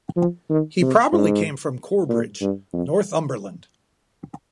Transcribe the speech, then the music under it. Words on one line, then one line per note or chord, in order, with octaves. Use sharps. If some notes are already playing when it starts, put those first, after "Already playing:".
He probably came from Corbridge, Northumberland.
F3
D#3
C3
G#2
A#2
G2
F2